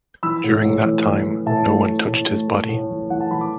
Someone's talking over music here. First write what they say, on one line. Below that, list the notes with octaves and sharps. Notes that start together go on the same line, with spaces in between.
During that time, no one touched his body.
E3 B5 E6
A2
A2
E3
E3
E3
A2 E5 A5
A3
E3
A2
A3
A3
A2
E3
E3 F#5
A5
E3 B5
D6